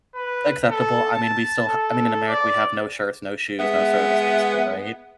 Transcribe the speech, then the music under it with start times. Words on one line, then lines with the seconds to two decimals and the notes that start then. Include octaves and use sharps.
acceptable, I mean, we still h I mean, in America we have no shirts, no shoes, no service, basically, right?
0.15 B4
0.70 A4
1.12 A5
1.69 A4
2.28 D5
3.59 G#3 B3 E5